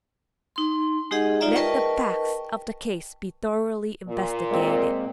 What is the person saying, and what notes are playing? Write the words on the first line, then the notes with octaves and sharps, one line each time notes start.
Let the facts of the case be thoroughly investigated.
D#4 C6
G#3 D#4 G4 G#4 D#5 F#5
D#4 F4 D5 E5 A#5
A#4 B4 D#5 G5 A5 C#6
A#2
G#3 A#3 C4